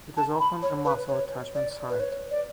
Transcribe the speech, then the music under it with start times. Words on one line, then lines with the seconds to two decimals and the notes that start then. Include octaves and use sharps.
It is often a muscle attachment site.
0.17 A5
0.40 B5
0.62 C#5
0.85 B4
1.08 C#5
1.55 D5
1.90 B4
2.00 C#5
2.31 D5